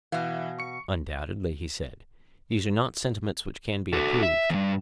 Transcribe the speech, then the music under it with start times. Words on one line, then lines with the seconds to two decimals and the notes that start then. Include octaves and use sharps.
Undoubtedly, he said, these are not sentiments which can be approved.
0.12 B2 E3 E5 F5
0.59 C#6 C#7
3.93 F#4 A4
4.23 E5
4.50 E2 G2